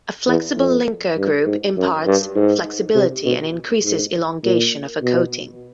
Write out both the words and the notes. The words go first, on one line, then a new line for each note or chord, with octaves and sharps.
A flexible linker group imparts flexibility and increases elongation of a coating.
E2
F2
G2
G#2
F#2
G2
G#2
C3
B2
G#2
A#2
B2